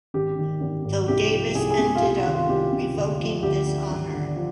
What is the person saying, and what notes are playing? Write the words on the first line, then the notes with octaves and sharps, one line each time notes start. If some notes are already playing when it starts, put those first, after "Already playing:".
Though Davis ended up revoking this honor.
G#1 G4
D#3
G#1
G#2
C2 G4
F3
C2 G#4
G#4
C3
G#4
F4
C2 G4
F4
D#3
F4
C2 G4
C3
D2
F3
D2 G4
D3
G#1
D3
F3